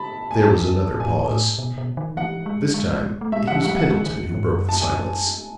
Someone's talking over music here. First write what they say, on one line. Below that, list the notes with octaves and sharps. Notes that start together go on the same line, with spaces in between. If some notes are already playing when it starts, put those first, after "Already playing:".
There was another pause; this time it was Pendleton who broke the silence.
Already playing: A5 B5
G#5
A2 A5
E2
G#2
A2 G#5
A2
B2
B2
D#3
E3 F#5
G#3
G#3
A3
G#3 E5
F#5
E3
F#5
G#3
F#3
F#5
G#3
D#3
G#2
F#2
A5
G#5